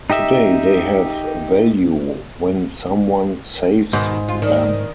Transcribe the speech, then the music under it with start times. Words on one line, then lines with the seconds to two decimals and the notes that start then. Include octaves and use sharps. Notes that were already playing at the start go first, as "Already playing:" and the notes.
Today they have value when someone saves them.
0.10 D#4 G4 D#5 E5
3.93 G#2 B2 D#3
4.29 F4
4.42 D#3 D4